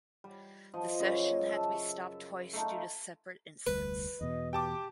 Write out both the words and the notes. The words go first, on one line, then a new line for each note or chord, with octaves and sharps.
The session had to be stopped twice due to separate incidents.
G3
F3 D#5
F#2 C#3 D#5
E5 A5
C#6
A3 D#4 F4
F1 D2 G3 B4
E2 B2 D#5
G4 G5 A5 D6